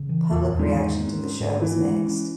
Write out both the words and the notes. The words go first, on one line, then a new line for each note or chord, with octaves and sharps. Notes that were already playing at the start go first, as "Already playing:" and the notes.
Public reaction to the show was mixed.
Already playing: C#3
E3
E2 A#2
A#2
E2
G#2
D#3
A#3
C#4
G#2
D#3 E3
G#3
C#4